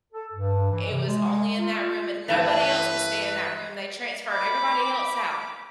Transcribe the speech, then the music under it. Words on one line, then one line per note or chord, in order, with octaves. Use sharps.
it was only in that room and nobody else could stay in that room, they transferred everybody else out
A4
G2
E3
C3
G#3
F4
G2 E3 A3 B4
B5 D6